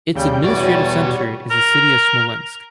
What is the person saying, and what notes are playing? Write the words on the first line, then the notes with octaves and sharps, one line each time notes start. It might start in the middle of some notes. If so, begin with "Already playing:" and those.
Its administrative center is the city of Smolensk.
D#2 C#3 G3 G5 G6
E2 B2 F#4 C#5 D5
A#4